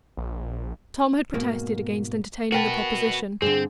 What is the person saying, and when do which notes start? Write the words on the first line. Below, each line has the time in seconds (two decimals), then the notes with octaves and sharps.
Tom had protested against entertaining the proposition.
0.17 A#1
1.34 G#2 B2 A#3
2.52 F#4 A#4 B4 G5 A5
3.42 G2 D3 C4 G#4